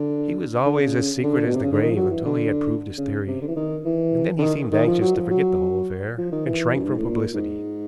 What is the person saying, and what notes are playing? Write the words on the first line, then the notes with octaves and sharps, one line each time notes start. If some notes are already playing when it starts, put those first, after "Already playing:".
He was always as secret as the grave until he had proved his theory, and then he seemed anxious to forget the whole affair, and shrank from publicity.
Already playing: D3
D3
C#3
D3
B2
C3
C#3
D3
D#3
F3
F#3
E3
D3
C#3
C3
D3
E3
D#3
E3
D3
D#3
D#3
F3
F#3
F3
F#3
F3
D#3
E3
F#2
G2
G#2
A2
A#2
G#2